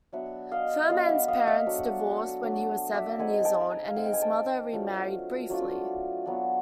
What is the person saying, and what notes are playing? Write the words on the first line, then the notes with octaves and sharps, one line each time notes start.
Fuhrman's parents divorced when he was seven years old, and his mother remarried briefly.
F#3 B3 D4 E5 F#5
D#5 F5
F#3 B3 D4 D#5 F5
D5 E5
D#5 F5
E5 F#5
F#3 A3 D4
F#3 A3 D4
D5 E5
G#3 C4 D#4 F#5 G#5
G5 A5
B5
G#5 A#5
F5
G#3 C4 D#4 F#5
G5
G#5
G5 A5
F#3 A3 D4 F4
F#3 A3 D4 F4
F#3 B3 D4